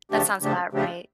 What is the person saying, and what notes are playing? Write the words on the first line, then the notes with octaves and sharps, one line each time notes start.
That sounds about right.
C#3 F3 A3 D4 G4
C#3 F3 A3 D4 G4
C#3 F3 A3 D4 G4